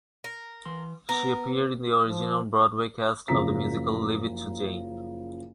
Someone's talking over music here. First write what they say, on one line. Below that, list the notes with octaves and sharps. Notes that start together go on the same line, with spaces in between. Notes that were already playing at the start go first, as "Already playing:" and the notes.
She appeared in the original Broadway cast of the musical "Leave It to Jane".
A#4
E3 C6
B3 A#4
F3
F#1 C#3 F3 A#5 B6